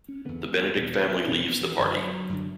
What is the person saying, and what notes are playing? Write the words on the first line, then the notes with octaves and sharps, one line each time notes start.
The Benedict family leaves the party.
C#4
E2 D3 B3
E2 B2 B3
E2 B2 C#4
B3
E3
F#2 D3 F#3
F#2 D3